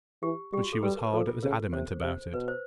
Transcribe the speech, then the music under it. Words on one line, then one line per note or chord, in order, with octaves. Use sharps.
But she was hard as adamant about it.
E3 G4
G3 G4
F#4
A4
G3 B4
A#4
F3 A4
F4
C#3 A#4
C3 C5
C3 C5
B2 B4
C5